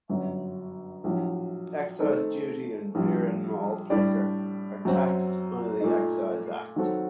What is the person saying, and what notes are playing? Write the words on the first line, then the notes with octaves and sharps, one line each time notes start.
Excise duties on beer and malt liquor are taxed under the Excise Act.
G1 F#2 F#3
A#1 A2 F#3
D#3 A3 C4 D#4 A4
A#1 A2 G3
A2 G3 D4 G4 D5
F#2 F#3 C4
A#2 A3 D#4
D#3 F#3 C4 F#4 A4